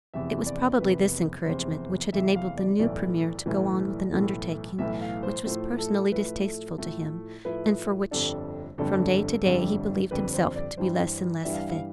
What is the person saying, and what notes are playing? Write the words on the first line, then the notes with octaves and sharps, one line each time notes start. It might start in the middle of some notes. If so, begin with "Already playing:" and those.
It was probably this encouragement which had enabled the new Premier to go on with an undertaking which was personally distasteful to him, and for which from day to day he believed himself to be less and less fit.
F1 E2 C3 E5
D5
F1 E2 C3 B4
F1 E2 C3 C5
F1 E2 C3 E5
F5
D5
B1 A2 E3 A3 D5
B1 A2 E3 A3
B1 A2 E3 A3
B1 A2 E3 A3 E5
F5
C5
A2 F3 A3 E4 C5
A4
A2 F3 A3 E4 B4
A4
A2 F3 A3 E4
A2 F3 A3 E4 B4
G1 F2 D3 G3 D4 A4
G1 F2 D3 G3 D4 A4
G1 F2 D3 G3 D4
G1 F2 D3 G3 D4 B4
C5
D5
G2 E3 G3 D4 C5
G2 E3 G3 D4 E5
F5
E5
F5